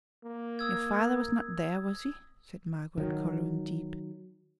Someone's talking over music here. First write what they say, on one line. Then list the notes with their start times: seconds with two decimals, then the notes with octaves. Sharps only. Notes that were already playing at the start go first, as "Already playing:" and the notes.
'Your father was not there, was he?' said Margaret, colouring deep.
0.24 A#3
0.59 D#6 E6 G#6
2.98 D#3 F#3